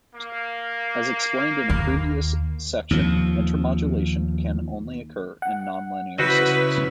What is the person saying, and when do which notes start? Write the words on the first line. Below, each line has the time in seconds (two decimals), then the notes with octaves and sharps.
As explained in a previous section, intermodulation can only occur in non-linear systems.
0.15 A#3
1.69 D#2
2.91 D#2 F3
5.42 F#5
6.18 C#3 E4 F#4 B4 C5 D#5